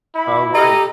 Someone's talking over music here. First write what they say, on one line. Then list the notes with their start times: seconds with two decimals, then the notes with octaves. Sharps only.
Oh, right.
0.15 E4 B5
0.52 G4 A4 D#5 A#5